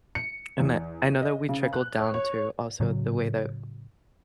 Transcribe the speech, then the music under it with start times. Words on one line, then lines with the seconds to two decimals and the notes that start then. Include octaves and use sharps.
And that I know that we trickled down to also the way that
0.15 C#7
0.60 E2
1.21 D#5
1.49 C#3
1.73 F#6
1.99 C#5
2.14 C#5
2.80 A2 C#3 F#3